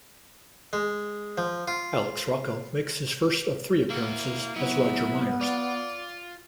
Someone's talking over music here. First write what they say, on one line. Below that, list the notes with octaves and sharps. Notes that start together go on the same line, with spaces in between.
Alex Rocco makes his first of three appearances as Roger Meyers.
G#3
F3
F4
A#3 E4 F#5
F#3 B3 E4
F4 D5